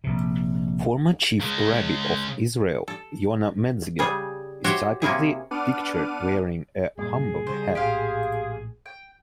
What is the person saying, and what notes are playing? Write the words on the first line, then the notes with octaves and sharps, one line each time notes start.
Former Chief Rabbi of Israel, Yona Metzger, is typically pictured wearing a Homburg hat.
A#1 C3
C#3 G#3
A4
C#3 G3 G#4
F#4 G4 C5 C#5 E5 F#5
C3 A#3 C#4 E4 G#4
B3 D4 F#5 D6 F6 D#7
F#2 A#2 G3 G#4
C#3 G3 C5
A#1 A2 G4 C5 F5
G5